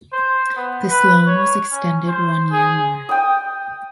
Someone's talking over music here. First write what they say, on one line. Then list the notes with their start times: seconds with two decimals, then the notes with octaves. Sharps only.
This loan was extended one year more.
0.13 C5
0.56 B3
0.89 B4
1.27 C#5
1.72 C#4
2.07 C5
2.51 G#4
3.09 G5 D#6